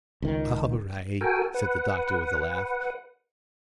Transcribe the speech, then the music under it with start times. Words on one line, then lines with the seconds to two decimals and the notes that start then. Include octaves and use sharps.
"All right," said the Doctor with a laugh.
0.22 C#2 D#3
1.21 F#4 A4 A#4 G5 G#5
1.54 B4 F#5